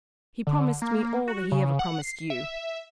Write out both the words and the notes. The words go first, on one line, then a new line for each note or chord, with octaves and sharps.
He promised me all that he ever promised you.
D3
A#3
F#4
C#3
F#5
C7
E5